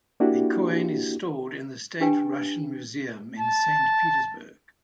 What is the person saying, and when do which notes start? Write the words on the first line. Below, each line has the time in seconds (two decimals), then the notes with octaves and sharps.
The coin is stored in the State Russian Museum in Saint Petersburg.
0.20 A#3 D4 E4 F#4 G4
2.01 D4 G4 B4 G5 G#5
3.39 A5